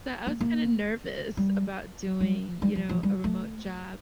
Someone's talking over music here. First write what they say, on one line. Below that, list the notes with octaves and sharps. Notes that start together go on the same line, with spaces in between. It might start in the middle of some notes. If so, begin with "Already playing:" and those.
So, I was kinda nervous about doing, you know, a remote job,
A#3
A#3
G3
G3
G3
F3
F3
G3
A3